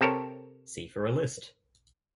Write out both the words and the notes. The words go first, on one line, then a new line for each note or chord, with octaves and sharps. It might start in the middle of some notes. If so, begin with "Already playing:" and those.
See for a list.
C3 C4 A4 A#4 C#5